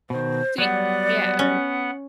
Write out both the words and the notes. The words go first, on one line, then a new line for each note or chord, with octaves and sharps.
See yeah.
B2 D#3 C5
F#3 G3 B3 D5 F#5
C#4